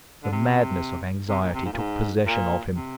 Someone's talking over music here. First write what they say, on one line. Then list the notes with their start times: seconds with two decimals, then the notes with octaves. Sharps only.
The madness of anxiety took possession of him.
0.23 D3
0.32 C3
1.29 C3
1.42 A#2
1.54 C3
1.65 G#2
1.73 A#2
1.77 G#2
2.26 A#2
2.75 C3